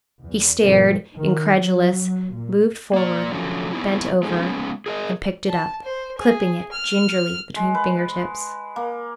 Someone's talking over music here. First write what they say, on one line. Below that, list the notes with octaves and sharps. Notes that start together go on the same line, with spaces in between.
He stared, incredulous, moved forward, bent over and picked it up, clipping it gingerly between finger-tips.
E2
G#1 B2 F3 A3 A#3 C4
D#3
F#3
A#2
A#3 D5
D3 F3 F#3 A3 C#4
B3 C4 E4
G#3 B3 D#4 G#4 A4
G#3 B3 C#4
G#4 A#4 D5 D#5
A5
C5
G#4
F6
G#3
B4
A#3